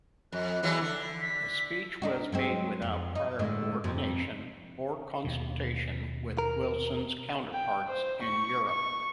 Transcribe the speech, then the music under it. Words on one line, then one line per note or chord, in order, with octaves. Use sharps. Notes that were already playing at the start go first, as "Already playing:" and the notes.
The speech was made without prior coordination or consultation with Wilson's counterparts in Europe.
F2 F#6
E2 E3 F#3
D3
B6
D4 D#4 F#4
F#3 G#3 C4
F2
D#4
A2 D3 G#3
F2 C3
D#2 B2
A#4
G5
C5
C#6
C#6